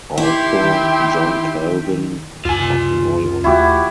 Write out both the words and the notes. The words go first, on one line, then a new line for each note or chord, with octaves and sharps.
Author, John Calvin, Of Noyon.
D#3 E4 G4 E5 G5 C6
C#2 F#2 F4 G#5
D#2 A3 E4 F#4 G4